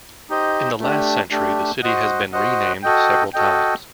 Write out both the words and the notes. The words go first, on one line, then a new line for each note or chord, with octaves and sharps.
In the last century the city has been renamed several times.
D#4 G4 C5 D#5
A3 D4 G4
A3 D4 G4
F#4 C5 D#5 F#5
F#4 C5 D#5 F#5
F#4 A4 D#5 G5
F#4 A4 D#5 G5